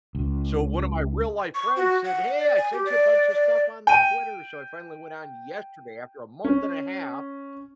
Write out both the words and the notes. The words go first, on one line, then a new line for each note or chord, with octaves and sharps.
so, one of my real-life friends said, "Hey, I sent you a bunch of stuff on the Twitter," so, I finally went on yesterday after a month and a half
C#2
C#6
F#4
F#5
D5
G#5
G4
D5
D5
G5 D#7
C#4